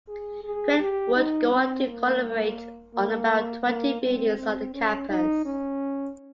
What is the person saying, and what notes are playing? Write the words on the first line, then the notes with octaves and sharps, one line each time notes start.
Cret would go on to collaborate on about twenty buildings on the campus.
G#4
G#4
G4
D#4
C4
A#3
A#3
A#3
C4
C4
C#4
D#4
C#4